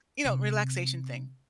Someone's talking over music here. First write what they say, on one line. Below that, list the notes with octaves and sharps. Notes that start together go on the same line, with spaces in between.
you know, relaxation thing.
C3